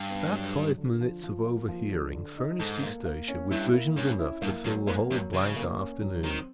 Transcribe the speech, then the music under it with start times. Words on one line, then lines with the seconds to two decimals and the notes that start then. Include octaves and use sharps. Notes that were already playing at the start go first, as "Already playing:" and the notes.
That five minutes of overhearing furnished Eustacia with visions enough to fill the whole blank afternoon.
Already playing: G2
0.10 B3
0.32 F#3
0.55 F#3
0.78 D3
1.01 F3
1.23 F3
1.46 A#3
1.68 F3
1.91 D3
2.15 D3
2.37 D#4
2.59 G#2 A4
2.83 A#3
3.05 A#3
3.28 C#4
3.51 G2 E4
3.74 A#3
3.96 G2 C#4
4.19 E4
4.42 G2 A#3
4.64 G2 F#3
4.87 G#2 A#3
5.10 G2 F#3
5.33 C#3 F#3
5.56 A#3
5.78 C#4
6.01 F#3
6.24 D#3 C4